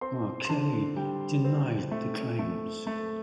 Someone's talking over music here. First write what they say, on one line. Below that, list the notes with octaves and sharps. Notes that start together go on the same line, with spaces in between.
R. Kelly denied the claims.
C4 C6
C6
D3 A5
G3 G5
C4
A3
A3
A3